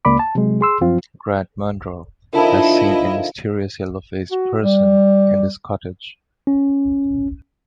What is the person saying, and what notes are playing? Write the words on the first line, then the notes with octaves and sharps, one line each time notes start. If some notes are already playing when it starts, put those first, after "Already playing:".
Grant Munro has seen a mysterious yellow-faced person in this cottage.
C#2 A#3 D5 B5 D6
A5
C3 F#3 G#3
G#4 C6 E6
F#2 F3 C4 F4 F5
D3 D#3 F3 E4 F4 A#4 D#5 A5
F#4
G3
C#4